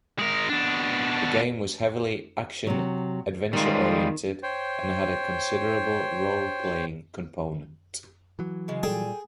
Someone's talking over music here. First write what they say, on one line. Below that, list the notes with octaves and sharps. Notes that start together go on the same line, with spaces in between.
The game was heavily action-adventure oriented and had a considerable role playing component.
G#3 A#4
B2 D4
C3 F#3
D#3 G3 G#3 F4
C5 C#5 G5
E3 F#3
C#3 G#3
A#2 G3 G#4 A4 G5 G#5